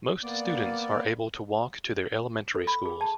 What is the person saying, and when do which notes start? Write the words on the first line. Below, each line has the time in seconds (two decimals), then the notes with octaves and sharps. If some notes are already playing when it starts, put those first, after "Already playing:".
Most students are able to walk to their elementary schools.
0.23 A#3 B3 D5
2.55 A4
2.67 B5
2.86 G#4
3.01 A5